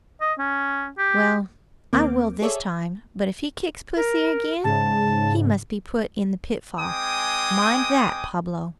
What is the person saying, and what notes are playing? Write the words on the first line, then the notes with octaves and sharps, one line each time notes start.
"Well, I will this time; but if he kicks pussy again he must be put in the pitfall--mind that, Pablo."
D#5
C#4
G4
D#2 A#3 C4 D6
G#4 A4 C#5 D5 E5
A#4
G#2 C#3 A5
G#3 C4 G5 G#5 D6 D#6